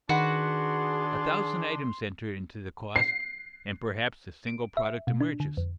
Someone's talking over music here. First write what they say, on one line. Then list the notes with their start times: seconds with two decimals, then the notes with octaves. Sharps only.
A thousand items enter into the cost and perhaps a single product emerges.
0.09 D#3 D4 F#4 G#4 B4 C6
2.96 C7
4.47 D7
4.77 E5
5.07 B2
5.21 D4
5.40 D3
5.57 F2